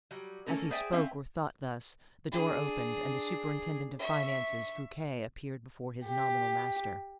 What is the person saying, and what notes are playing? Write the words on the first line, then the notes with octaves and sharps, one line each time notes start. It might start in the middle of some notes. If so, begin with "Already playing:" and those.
As he spoke or thought thus, the door opened, and the superintendent of finances, Fouquet, appeared before his nominal master.
F#3 G3
A3 A#3 C#4 A4 A#4
G#4 C5 D5 E5 G5 G#5
C4 C#4 E5 F5
D4 G#4
E5 C#6
G4